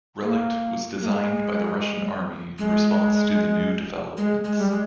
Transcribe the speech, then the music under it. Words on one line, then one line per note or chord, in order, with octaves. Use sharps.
Relikt was designed by the Russian army in response to the new developments.
A#3
A#3
G#3
G#3
G#3
G#3
G3
G#3